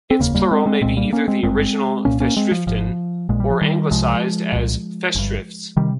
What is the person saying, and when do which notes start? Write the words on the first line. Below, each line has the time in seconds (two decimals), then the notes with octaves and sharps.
Its plural may be either the original "Festschriften" or anglicized as "Festschrifts".
0.11 C4
0.20 F1 D#2 C#3 A#3
0.35 G3 A#3
0.51 G#3 C4
0.66 G#3 C4
0.81 C2 A#2 G#3 C4
0.97 G3 A#3
1.13 A#3 C#4
1.28 G#3 C4
1.43 G#1 G2 G#3 C4
2.05 C2 A#2 A#3 C#4
2.20 A#3 C#4
2.36 G#3 C4
2.52 F3
2.67 G#1 G#2 F3
3.29 A#1 A#2 G#3
3.40 G3
3.50 F3
3.61 D#3 G3
3.91 C2 C3 F3 G#3
4.53 C2 A#2
5.15 G1 G2
5.77 C3 D#3 G3